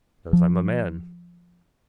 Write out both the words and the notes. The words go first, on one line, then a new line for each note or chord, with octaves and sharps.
Knows I'm a man.
F3